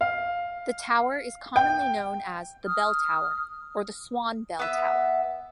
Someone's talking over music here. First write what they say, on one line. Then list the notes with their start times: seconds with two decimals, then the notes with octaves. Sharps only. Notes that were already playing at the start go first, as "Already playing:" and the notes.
The tower is commonly known as The Bell Tower or the Swan Bell Tower.
0.01 F5
1.56 G5
2.66 D#6 F6
4.59 B3 E5